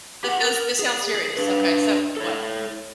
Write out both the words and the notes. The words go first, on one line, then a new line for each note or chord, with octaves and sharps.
That sounds that sounds serious. Okay. So what?
G4 F#5
A#4
G#4
G#4
D4 B4
A4 C#5